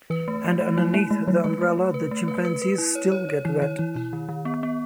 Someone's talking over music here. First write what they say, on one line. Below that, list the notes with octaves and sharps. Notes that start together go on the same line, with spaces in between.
And underneath the umbrella the chimpanzees still get wet.
E3 B4
A3
A3
A3
F#3 E4
A3 E4
G#3 A3
F#3 A3
G#3 B4
A3
A3
B4
A3
B4
B4
B4
E4
C#5
C#5
C#5
E3 E4
D#3 C#5
E3 E4
B2 E4
D#3
D#3
B3
B3